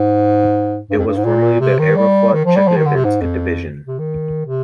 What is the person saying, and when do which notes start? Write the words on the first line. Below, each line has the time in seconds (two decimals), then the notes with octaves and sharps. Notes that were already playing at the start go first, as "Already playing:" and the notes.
It was formerly the Aeroflot Chelyabinsk Division.
Already playing: G#2
0.90 G2
0.98 F2
1.07 G2
1.17 G#2
1.25 A#2
1.60 C3
1.79 D#3
1.96 G3
2.33 D#3
2.45 F3
2.56 G3
2.68 F3
2.77 D#3
2.86 D3
2.95 C3
3.04 G#2
3.21 F2
3.87 C3
3.99 D#3
4.46 C3